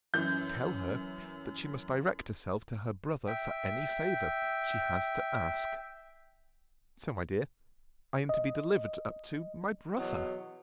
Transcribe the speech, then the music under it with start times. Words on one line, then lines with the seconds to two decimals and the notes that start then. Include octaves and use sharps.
Tell her, that she must direct herself to her brother for any favour she has to ask.--So, my dear, I am to be delivered up to my brother!
0.14 F#2 E3 G6
3.27 E5 G5
8.29 D#5
9.96 E2 B2 F#3 D#5